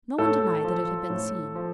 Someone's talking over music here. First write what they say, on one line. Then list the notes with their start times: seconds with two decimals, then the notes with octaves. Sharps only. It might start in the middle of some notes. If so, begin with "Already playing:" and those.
No one denied that it had been seen.
0.18 A2 A4
0.64 F3
1.10 A2
1.55 F3